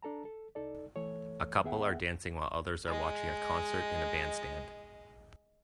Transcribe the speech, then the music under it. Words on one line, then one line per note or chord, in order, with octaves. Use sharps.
A couple are dancing while others are watching a concert in a bandstand.
D4 A4 A5 A#5
A4
C2 D#4 A4 D5
E3 A3 A4 C#5
D#2 B3 G#4 E5 F#5 G5
G#3 D#5